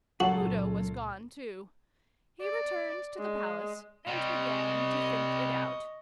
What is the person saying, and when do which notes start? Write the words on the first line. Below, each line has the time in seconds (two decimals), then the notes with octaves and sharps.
Udo was gone too. He returned to the Palace, and began to think it out.
0.20 C#2 F#2 A#2 F4 F#4 A4 C#5
2.41 D5
3.18 G#3
4.07 C3 G3 D#5 C#6